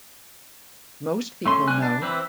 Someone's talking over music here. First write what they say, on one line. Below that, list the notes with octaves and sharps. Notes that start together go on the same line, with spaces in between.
Most people know.
A3 C#4 C6
G3 G#5 F#6
D4
E3 C4 E4 B4